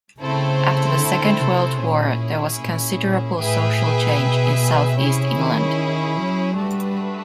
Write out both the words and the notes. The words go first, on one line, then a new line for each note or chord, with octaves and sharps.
After the Second World War, there was considerable social change in South East England.
C#3 A3 C4 E4 A4 C5
D3
C3
A#2 C#4 E4 G#4
A#2
A#2
A2 G#4 B4 E5 G5
A#2
B2
C3 C#4 E4 G#4
D#3
F#3
G3 A3 D4 F#4 B4